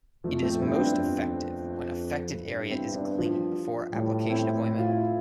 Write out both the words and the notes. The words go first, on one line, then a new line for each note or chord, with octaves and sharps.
It is most effective when affected area is cleaned before application of ointment.
F2 F3 A3
A3 C4
G2 C4 E4
C4
B3 D4
F2
G2
C4 E4
B3 D4
F3
A2 G3
C4 E4
E4
F4
E4
F4